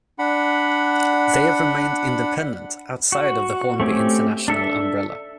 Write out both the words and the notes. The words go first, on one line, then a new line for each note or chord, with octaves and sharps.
They have remained independent outside of the Hornby International umbrella.
D4 F#5 B5
F#4
A3 C4 C#4 G4
D4 A4 E5